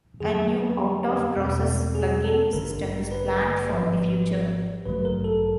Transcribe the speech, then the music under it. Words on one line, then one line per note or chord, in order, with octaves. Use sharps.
A new, out-of-process plugin system is planned for the future.
F2 D3 F#3 A#3 G#4
G4
E2 B2 G#3 C4
G#4
A4
A1 G2 D3 A#4
B4
G#1 G#2 F3
A1 G2 D3 F#3 A3 B4
A#4
A4